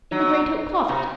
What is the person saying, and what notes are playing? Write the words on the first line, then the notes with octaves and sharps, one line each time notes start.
"In the great oak closet."
F#3
C3